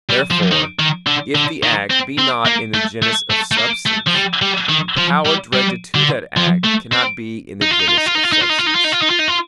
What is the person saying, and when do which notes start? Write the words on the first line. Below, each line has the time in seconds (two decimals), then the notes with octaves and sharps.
Therefore, if the act be not in the genus of substance, the power directed to that act cannot be in the genus of substance.
0.09 G3
0.30 F3
0.51 D#3
0.80 D#3
1.07 D3
1.35 D3
1.63 D#3
1.91 C4
2.19 C4
2.46 A#3
2.74 A3
3.02 A3
3.30 A3
3.52 A3
3.58 A#3
3.86 A3
4.07 F3
4.14 G3
4.42 G3
4.69 D#3
4.97 F3
5.25 G3
5.53 G3
5.95 D3
6.37 F3
6.64 A3
6.93 C4
7.62 D#4
7.71 F4
7.79 D#4
7.88 F4
7.97 D#4
8.06 F4
8.15 D#4
8.23 F4
8.32 D#4
8.41 F4
8.50 D#4
8.59 F4
8.67 D#4
8.76 F4
8.85 D#4
8.93 F4
9.02 D#4
9.11 F4
9.20 D#4
9.28 F4